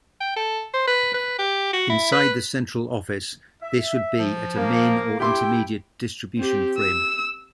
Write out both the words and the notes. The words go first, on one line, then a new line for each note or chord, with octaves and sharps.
Inside the central office, this would be at a main or intermediate distribution frame.
G5
A4
C5
B4
B4
G4
F#4
E4
B4
E5
F3
A#3
E4 G4 G5 C6 D6
C4 G4
E6